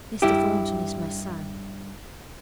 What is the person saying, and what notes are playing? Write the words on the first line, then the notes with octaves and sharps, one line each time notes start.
Mr. Thornton is my son.
G2 E4 G4